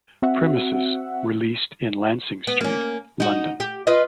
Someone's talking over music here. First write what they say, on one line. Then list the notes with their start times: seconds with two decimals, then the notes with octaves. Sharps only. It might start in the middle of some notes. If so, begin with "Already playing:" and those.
Premises were leased in Lancing Street, London.
0.22 C4 F#4 E5 F#5
2.47 B3
2.61 A#3 C#4
3.20 D#4 F#4
3.60 G4
3.87 F4 B4 D#5